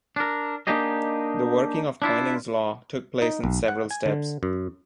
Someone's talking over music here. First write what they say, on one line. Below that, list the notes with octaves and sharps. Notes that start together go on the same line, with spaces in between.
The working of Poynings' Law took place in several steps.
D4 A#4
A#3 D4 D#4 G4 G#4 D#5
D4 E4 F4
D#4
B1
F#5
G#5
D3
F#2